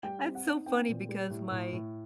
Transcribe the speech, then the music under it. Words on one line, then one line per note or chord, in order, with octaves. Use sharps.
That's so funny because my,
G3 G5
C4
F#5
D#4
C4 G5
A#2
G3
A2
A2
A2